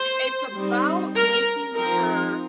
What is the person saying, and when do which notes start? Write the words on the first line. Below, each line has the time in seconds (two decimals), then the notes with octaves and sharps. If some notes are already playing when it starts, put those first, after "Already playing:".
it's about making sure
Already playing: C5
0.54 G3 C4 D#4
1.15 A#4
1.75 F3 C4 D#4 A#4